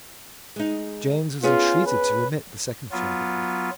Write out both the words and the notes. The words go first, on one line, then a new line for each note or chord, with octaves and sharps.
James was entreated to remit the second flogging.
G#3 D#4
B3 C#4 F4 G#4
B4
F#3 B3 F4